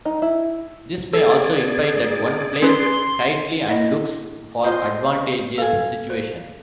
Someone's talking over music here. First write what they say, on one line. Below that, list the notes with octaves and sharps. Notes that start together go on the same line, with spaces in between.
This may also imply that one plays tightly- and looks for advantageous situations.
D#4
E4
G#4 A4 D5
C#4 B4 C6
E4 D#5
F4 C5 D#5 C6
A4 F5 G#5
C5